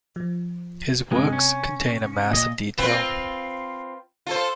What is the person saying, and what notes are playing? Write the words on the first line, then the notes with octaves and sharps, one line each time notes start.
His works contain a mass of detail.
F3
G2 C3 G#3
C#4
A#2 D#5
C4 F4 B4
F4 A4 C5